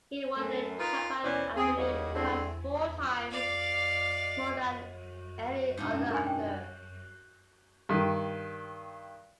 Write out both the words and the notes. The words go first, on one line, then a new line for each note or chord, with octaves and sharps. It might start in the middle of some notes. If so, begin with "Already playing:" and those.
He won the Japan Academy Prize four times, more than any other actor.
F#2 A3
D#4 F4 A#4 B4
B2 E3 C#4 E4 C5 D5
C4 G#4
D#2 C#3 G3 F#4 C#5 D#5
D3 G#3 A3 C4 D4 E4
D5 F5
G#2 B2 D4
C#4 E5
A#4 G#5
G5
G2 D#3